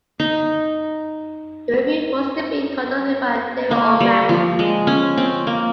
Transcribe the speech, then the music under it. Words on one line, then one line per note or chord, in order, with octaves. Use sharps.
The review was to be conducted by David Omand.
D#4
A#3
G3
F3
G#3
C#4
C4
A#3